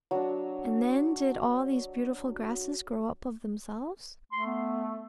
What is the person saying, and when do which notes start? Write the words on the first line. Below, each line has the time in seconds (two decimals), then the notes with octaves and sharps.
And then did all these beautiful grasses grow up of themselves?
0.11 F#3 D4
4.32 A3 C6
4.46 B3